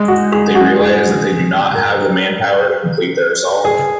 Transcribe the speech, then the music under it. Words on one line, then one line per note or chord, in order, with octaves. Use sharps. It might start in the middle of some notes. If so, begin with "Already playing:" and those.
They realize that they do not have the manpower to complete their assault.
Already playing: G#3
F#4
G#4
F#4
G#4
A#4
G#4